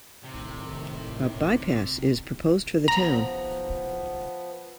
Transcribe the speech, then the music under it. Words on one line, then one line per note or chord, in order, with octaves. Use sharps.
A bypass is proposed for the town.
A2 C3 D#3
F3 B3 A#5